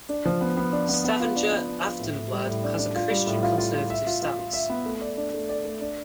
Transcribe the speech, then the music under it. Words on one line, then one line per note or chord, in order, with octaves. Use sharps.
"Stavanger Aftenblad" has a Christian-conservative stance.
D4
F3
B3
B3
D4
B3
B3
F4
D4
B3
D4
F4
A2
A2
G3
A2
D4
D4
F4
G3
A2
F4
F4
F4
E5
F4
F4
F4
E5
B3
A3
D5
D4
A3
D5
A3
D4